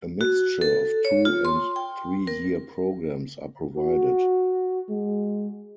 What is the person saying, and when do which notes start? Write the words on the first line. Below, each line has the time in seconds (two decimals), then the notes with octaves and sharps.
A mixture of two- and three-year programs are provided.
0.21 F#4
0.61 A4
1.05 C#5
1.25 F4
1.45 C6
1.76 G5
2.27 A#4
3.77 F#4
4.89 G#3